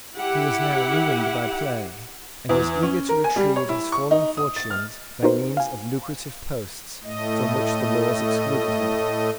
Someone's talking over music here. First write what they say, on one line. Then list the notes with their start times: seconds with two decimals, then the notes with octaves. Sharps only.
He was now ruined by play, and was eager to retrieve his fallen fortunes by means of lucrative posts from which the laws excluded him.
0.15 E4 G4 F#5
2.49 E2
2.83 C#4
3.09 A#4
3.24 G#5
3.36 G3
3.56 C#5
3.69 E4
3.92 C#6
4.11 D#4
4.37 D#6
4.56 A6
4.70 F6
5.23 B3 D#4 F#4 A#4 C5
5.57 F5 G#5
7.04 A2 A3 D#5